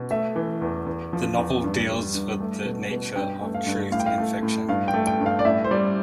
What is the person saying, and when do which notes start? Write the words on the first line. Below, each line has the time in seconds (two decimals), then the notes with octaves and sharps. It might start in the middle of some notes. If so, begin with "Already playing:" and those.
The novel deals with the nature of truth and fiction.
Already playing: B2
0.11 A3 E5
0.36 E3
0.62 E2
0.86 E2
1.13 F3
1.38 E2
1.64 G2
1.89 G3
2.14 G2
2.40 A3
2.65 B2
2.90 B2
3.15 G2 G5
3.41 A3
3.54 F5
3.66 G2
3.92 A2 F5
4.00 G5
4.06 F5
4.18 A3
4.43 A2
4.68 G2 F5
4.88 G5
4.94 A3
5.07 G5
5.20 G2
5.26 F5
5.39 D5
5.45 A2 E5
5.64 C5
5.71 G3 D5